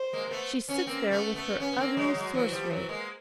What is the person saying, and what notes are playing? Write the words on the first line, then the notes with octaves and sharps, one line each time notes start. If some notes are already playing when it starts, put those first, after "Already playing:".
She sits there with her ugly sorcery.
Already playing: C5
G#3 A#3
A#3
A3 B3
B3 C#4
A#3 C4
A3 B3
A3 B3
B3 C#4
B3
A#3 C4
F#3 G#3
F#3 G#3
E3 F#3 C5
F3 G3
E3 F#3
G#3 A#3